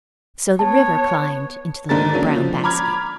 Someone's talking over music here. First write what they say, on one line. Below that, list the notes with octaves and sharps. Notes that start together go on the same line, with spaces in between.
So the river climbed into the little brown basket.
B3 C#5 A5
G#1 D3 G#3 D4 A#4 A6
F#3 A#3 C#4 D4
F3
A#5 B5 D6 F6 G#6